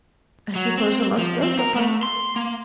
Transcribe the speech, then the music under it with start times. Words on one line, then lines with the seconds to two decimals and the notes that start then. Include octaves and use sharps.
"I suppose I must go, papa?"
0.55 F#3
0.78 C4
1.18 F3
1.42 C4
1.59 A#4
1.76 A3
2.03 C6
2.36 A#3